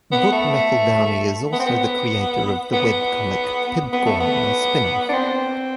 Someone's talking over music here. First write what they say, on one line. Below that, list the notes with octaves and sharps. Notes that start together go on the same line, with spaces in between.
Brooke McEldowney is also the creator of the webcomic "Pibgorn", a spin-off.
B3
A3
B3
C4
B3
B3
B3
A3
B3
D4
C4